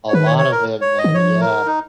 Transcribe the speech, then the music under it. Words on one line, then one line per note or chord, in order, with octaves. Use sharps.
A lot of it, man, yeah.
C#5
D#3 B4
C#5
C#5
A#4
C#5
D#5
D#3
F3 C#5
A#4
D#4